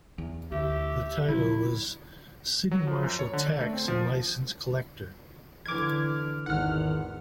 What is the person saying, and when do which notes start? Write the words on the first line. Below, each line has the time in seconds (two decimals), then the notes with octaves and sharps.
The title was City Marshal, Tax and Licence Collector.
0.18 E2
0.52 D2 G4 E5
1.29 C#3 F3 F#3 E4
2.71 F#3
2.87 F3
3.03 F#2
3.19 C#5
3.33 D3
3.46 D5
3.60 A3
3.73 C4
3.88 F3
5.66 D3 E3 D6 F6 G#6
6.46 G#1 E2 D#3 F#5 F6